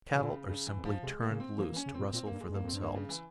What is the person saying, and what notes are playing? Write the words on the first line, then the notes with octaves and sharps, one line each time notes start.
The cattle are simply turned loose to rustle for themselves.
C3 E3
A#2
C#3
G2 C#3
E3
F2
G#2 F3
C3 G#3
A#3
C#3
C4
F3 A#3
E3
C#4
C#3
A#2 C4
A#2 C4
A#3
G2
G#3
G2 A#3
F2
C4
G2
A#3
C#3
E3